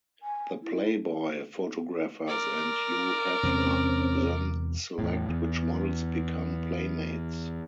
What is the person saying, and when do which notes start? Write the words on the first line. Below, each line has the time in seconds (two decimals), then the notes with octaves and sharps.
The "Playboy" photographers and Hugh Hefner then select which models become Playmates.
0.23 G#5
0.62 E4
2.28 A#4 D5
3.43 E2 C3 G#3 C4 C#4
4.99 E2 A2
5.29 E2